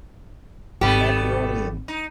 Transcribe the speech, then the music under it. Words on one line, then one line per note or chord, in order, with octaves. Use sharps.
macaroni and
G#1 G3 A3 B3 G4
D#4